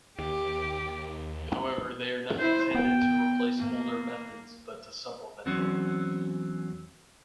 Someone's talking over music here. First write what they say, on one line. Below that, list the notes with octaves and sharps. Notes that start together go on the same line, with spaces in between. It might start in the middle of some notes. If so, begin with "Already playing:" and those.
However, they are not intended to replace older methods but to supplement them.
D#2 G4
E4 C5
B3 G5
A#3
E2 F#3 C4 C#4